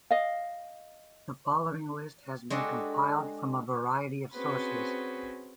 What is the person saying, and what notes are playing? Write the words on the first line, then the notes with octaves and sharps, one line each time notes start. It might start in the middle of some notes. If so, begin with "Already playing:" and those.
The following list has been compiled from a variety of sources.
D#5 F5
G#3 D4 F#4 G4 A4
C4 C#4 F#4 G#4 B4 C5